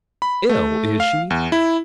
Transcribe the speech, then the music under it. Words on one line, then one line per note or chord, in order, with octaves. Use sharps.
'Ill! is she?
B5
A3
F5
E2
E4